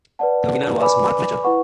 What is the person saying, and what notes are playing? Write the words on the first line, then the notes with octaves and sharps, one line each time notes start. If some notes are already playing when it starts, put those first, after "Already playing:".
The winner was Mark Fletcher.
B4 D5 F#5 A5
B4 D5 G#5 B5 D6
E4 B4 F#5 C#6